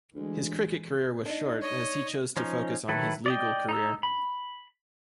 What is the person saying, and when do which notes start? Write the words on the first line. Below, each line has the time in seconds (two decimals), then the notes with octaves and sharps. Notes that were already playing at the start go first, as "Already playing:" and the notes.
His cricket career was short as he chose to focus on his legal career.
0.15 D2 E3 G#3
1.26 D4 D#4
1.62 C#5 D#5
2.37 F3 C#4 D#4
2.89 D#3 F#3 E4 A4 B4
3.26 D5 D#5 G5
3.69 D#4 A#5 E6
4.03 B5